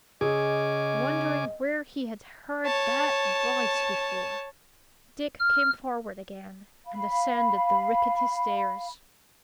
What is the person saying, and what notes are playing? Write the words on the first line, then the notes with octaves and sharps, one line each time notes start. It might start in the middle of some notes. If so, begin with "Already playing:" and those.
Wondering where he had heard that voice before, Dick came forward again and ascended the rickety stairs.
C#3 G#4 D#5 G#5 D6
C#5 A5
F6
F5 B5